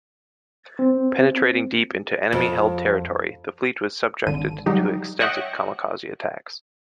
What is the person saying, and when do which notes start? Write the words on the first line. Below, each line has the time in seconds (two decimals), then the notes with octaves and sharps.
Penetrating deep into enemy-held territory, the fleet was subjected to extensive kamikaze attacks.
0.79 C4
2.33 F2
4.27 G#1 D3 D#7
4.66 F#3 G3 D#4 G4
5.20 C#5 D#5 E5 F#5 G5